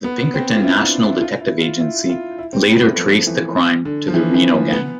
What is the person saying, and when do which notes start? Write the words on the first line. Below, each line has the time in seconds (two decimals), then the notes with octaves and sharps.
The Pinkerton National Detective Agency later traced the crime to the Reno Gang.
0.04 B3
0.34 C4
0.56 F4
0.64 E4
0.74 E4
0.83 D4
1.03 E4
1.21 F4
1.41 E4
1.61 F4
1.80 E4
2.10 F4
2.38 E4
2.53 C4
2.69 B3
2.82 A3
2.97 F3
3.27 E3
3.85 D3
4.08 F3
4.14 E3
4.34 E3
4.54 F3
4.73 B3